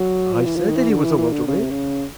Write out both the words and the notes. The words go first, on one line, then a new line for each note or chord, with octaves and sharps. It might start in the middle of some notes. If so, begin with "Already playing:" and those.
"I said that he was a welter weight."
Already playing: F#3
F3
E3
F3
D#3
E3
D3
E3
E3
D3
C#3
C3
C#3